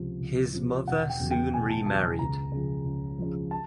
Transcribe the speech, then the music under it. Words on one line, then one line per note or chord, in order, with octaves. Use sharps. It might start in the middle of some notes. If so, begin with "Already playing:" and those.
His mother soon remarried.
Already playing: C#2 C3 F3
C#2
C3 F3
E1 F#5
G5
E2 C#3 F#3
G5
E1 G#5
A5
E2 C#3 F#3 A5
C#2 A#5
C#3 F3
C#2
C#3 F3
A5